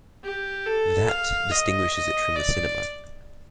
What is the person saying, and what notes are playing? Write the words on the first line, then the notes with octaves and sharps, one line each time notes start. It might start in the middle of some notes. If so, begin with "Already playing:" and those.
That distinguishes it from the cinema.
G4
A4
F5
D#5
D#5
D5